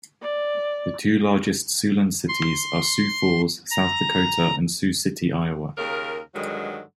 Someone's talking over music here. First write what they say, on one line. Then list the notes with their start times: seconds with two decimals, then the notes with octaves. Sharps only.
The two largest Siouxland cities are Sioux Falls, South Dakota, and Sioux City, Iowa.
0.22 D5
2.28 C6
3.71 A#5
5.77 D#2 C#3 A#4
6.34 G2 D3 D#3 F#3 G#3